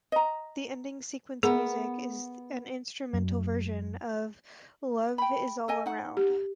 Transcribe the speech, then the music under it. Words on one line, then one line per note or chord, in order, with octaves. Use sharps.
The ending sequence music is an instrumental version of "Love is All Around".
D#5 A#5
B3 G#4 A#4
F#2
G5 B5
A4 D#5 G#5
D#4 F#5
G4